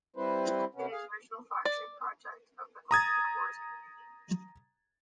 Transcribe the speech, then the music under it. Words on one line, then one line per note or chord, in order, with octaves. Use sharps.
It is the original flagship project of the OpenCores community.
G3 C4 E4 B4 C5
C3 B3 C#4
G#4 F5
D5
A#5 D#6 G#6 A6